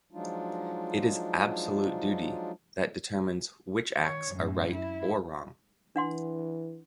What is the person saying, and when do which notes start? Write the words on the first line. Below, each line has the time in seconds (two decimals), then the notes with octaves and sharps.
It is "absolute duty" that determines which acts are right or wrong.
0.12 F3 F#3 G#3 D4 D#4 F4
3.98 D#3 C#5
4.31 F#2 A2
4.73 E4
5.96 E3 D4 F#5 C6